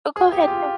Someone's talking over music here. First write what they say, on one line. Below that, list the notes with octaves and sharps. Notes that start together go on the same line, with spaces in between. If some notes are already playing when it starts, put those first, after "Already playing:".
Oh, go ahead, no.
G#4
G4
F4